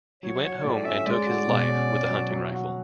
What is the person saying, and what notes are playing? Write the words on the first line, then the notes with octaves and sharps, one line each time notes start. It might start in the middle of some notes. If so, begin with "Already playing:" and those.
He went home and took his life with a hunting rifle.
F#3 C#5
F#4 C#5
C#5
A2 D5
C#4 E5
G#3 D5
F#4
B2
C#4
C#4
F#3
F#3
F#4